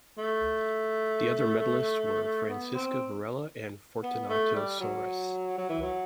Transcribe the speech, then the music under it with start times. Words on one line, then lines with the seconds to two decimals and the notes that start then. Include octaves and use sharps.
The other medallists were Francisca Varela and Fortunato Soares.
0.18 A3
2.49 B3
2.75 C4
4.03 B3
4.29 A3
4.55 G3
4.80 F#3
5.58 F#3
5.70 E3
5.82 F#3